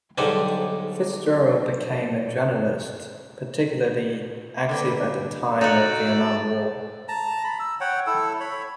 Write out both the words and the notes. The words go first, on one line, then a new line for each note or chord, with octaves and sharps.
FitzGerald became a journalist, particularly active at the time of the Vietnam War.
B1 G#2 D3 G3 C5 G#5
D3 A#3 B4
D#4 F#4 A4 D5 E6
A5 A#5
B5
E6
C#5 F#5 G5
E4 A4 E6
C#5 B5